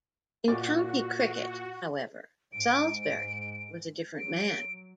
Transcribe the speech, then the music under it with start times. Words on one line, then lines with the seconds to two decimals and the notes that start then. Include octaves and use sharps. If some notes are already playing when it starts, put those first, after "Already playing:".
In county cricket, however, Salisbury was a different man.
0.48 A#2 F#4 D6 A6
2.52 G#2 D7
4.19 F#3 D7